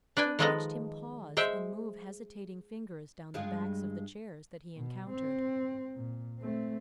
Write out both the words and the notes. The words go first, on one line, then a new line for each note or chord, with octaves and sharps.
She watched him pause and move hesitating fingers down the backs of the chairs that he encountered.
D4 B4 G5 G#5
D#3 F3 G#3 A4 B4 D#5
G#3 C5 E5 G5
G2 G#3 F4
B2
C4
A#2
A3 C4